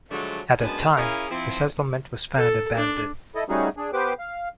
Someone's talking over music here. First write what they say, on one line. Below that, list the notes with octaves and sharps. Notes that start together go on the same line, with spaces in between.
At that time, the settlement was found abandoned.
D3 F3 F#3 G#3 A3
F#2 G#3 B3 D4 G#5 A5
C#4 E4 G#4 A#4 F5 G#5
F3 C4 E4
A4
D4
E4 A4 D#5
G3 A3 C#4 D#4 F#4 G#4
D4 G#4
B3 G4 B4 C5 D6
F5